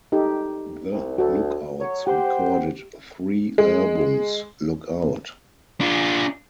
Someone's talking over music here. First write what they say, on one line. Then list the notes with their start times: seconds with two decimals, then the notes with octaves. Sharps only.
The Lookouts recorded three albums, Lookout!
0.12 D#4 G4 A4
0.92 C2
1.18 D2 F#4 A4
1.81 F#3 C#5
2.07 G4 C5 F#5 G5
3.58 G#3
5.80 D4 F4